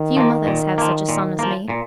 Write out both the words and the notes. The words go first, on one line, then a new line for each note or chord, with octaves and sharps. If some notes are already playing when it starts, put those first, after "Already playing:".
Few mothers have such a son as me.
Already playing: D#3
F3 A#3
A#2
F3 A#3
A#2
F3 A#3
A#2